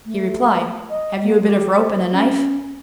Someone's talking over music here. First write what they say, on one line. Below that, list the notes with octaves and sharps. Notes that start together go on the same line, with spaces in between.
He replied, "Have you a bit of rope and a knife?"
A3
D#5
A#3
G4
C5
C#4